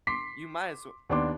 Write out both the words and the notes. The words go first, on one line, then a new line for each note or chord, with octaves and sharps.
you might as well
C6 D6 B6 C7
D#2 B3 D4 C6 D6